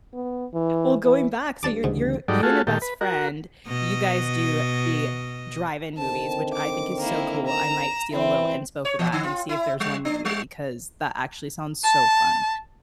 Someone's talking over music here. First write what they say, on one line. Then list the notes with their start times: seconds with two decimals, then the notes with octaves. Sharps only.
well, going back, so you're you're you and your best friend, you guys do the drive-in movies, which I think is so cool, I might steal a little inspo for that and see if there's one near me because that actually sounds so fun.
0.13 B3
0.54 E3
1.04 E3
1.63 G2 D4 A5 D6
1.84 D2 G#2 C#3 E3
2.28 G#2 F#3 G3 D#4 A4 D5
2.43 A3 F4 F#4 G#4 A4
2.67 A#2 D#3 G4 A4
2.82 B4
3.01 F#4 A#4
3.67 B2 D#5
5.98 D3 D#3 C4 A5
6.53 D6
7.00 A#3 E4
7.47 A#5 E7
8.13 E3 C4 E4
8.85 C#5
8.99 E3
9.12 D3
9.24 F4
9.49 E4
9.80 G3
10.05 D4
10.25 G3
11.83 A5